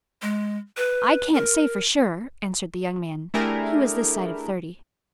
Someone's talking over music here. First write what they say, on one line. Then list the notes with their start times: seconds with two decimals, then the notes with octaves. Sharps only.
"I can't say for sure," answered the young man--he was this side of thirty.
0.22 G#3
0.77 B4
1.34 A#4
3.34 A3 D4 E4 G4 G#4 A#4